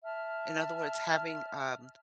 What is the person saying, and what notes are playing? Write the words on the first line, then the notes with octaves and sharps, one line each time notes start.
In other words, having, um,
E5 A5 F6